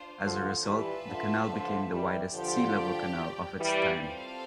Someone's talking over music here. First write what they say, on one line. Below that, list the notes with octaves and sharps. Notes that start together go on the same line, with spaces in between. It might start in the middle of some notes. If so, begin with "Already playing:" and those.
As a result, the canal became the widest sea level canal of its time.
Already playing: D4 F4 C5
D3 F3
E3 G3 F4 B4 E5 A5
D3 F3
D3 F3
E3 G3
D3 F3 G4 D5 G5
E3 G3
C4 F4 A4 C5 F5